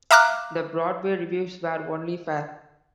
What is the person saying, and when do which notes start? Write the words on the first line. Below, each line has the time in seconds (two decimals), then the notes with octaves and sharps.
The Broadway reviews were only fair.
0.11 E5 F5 A#5 D6 F6 F#6